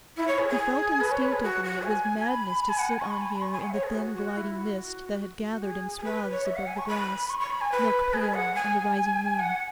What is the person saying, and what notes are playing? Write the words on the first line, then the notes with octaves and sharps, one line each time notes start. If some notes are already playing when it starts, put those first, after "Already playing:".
He felt instinctively it was madness to sit on here in the thin gliding mist that had gathered in swathes above the grass, milk-pale in the rising moon.
E4
C#5
G#4
G#4
B4
C#5
B4
G#4
F#4
F#4
G#5
B5
G#5
F#5
G#5
C#6
B5
G#5
B5
C#6
G#5
F#5
E5
C#5
G#4
F#4
F#4
E4
F#4
F#4
G#4
G#4
B4
C#5
E5
F#5
G#5
C#6
B5
C#6
C#6
B5
G#5
B4
G#4
F#5
G#5
F#5